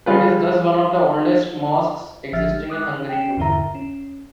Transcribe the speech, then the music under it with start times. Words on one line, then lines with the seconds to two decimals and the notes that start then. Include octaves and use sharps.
It is thus one of the oldest mosques existing in Hungary today.
0.06 G3 F4 G#4 B4
2.33 A1 F3 G4 E5 F6 A6
2.52 G#3
2.70 D6 D#6 F#6
3.09 C#4 G5
3.37 E2 G2 D3 E4 E5 A#5
3.75 C#4